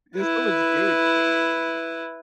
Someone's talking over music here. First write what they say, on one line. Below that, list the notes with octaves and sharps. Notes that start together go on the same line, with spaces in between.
There's so much games.
E4 B4